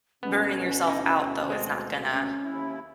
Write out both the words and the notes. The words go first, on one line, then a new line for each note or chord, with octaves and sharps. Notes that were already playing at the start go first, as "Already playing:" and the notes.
burning yourself out though is not gonna
D2 B2 B3 C#4
D#4 E4
G#3 C4
C#4
D#2 E4